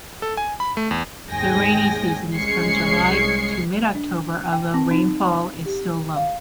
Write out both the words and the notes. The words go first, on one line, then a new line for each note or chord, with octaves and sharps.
The 'rainy season' is from July to mid-October, although rainfall is still low.
A4
G#5
B5
A3
E2
G#1 D#2 G#3 G5 G#5 A#6
C2 G#3 C#4 G#6 C7 C#7
D4
G5
C4
D#4
B5
G4
F5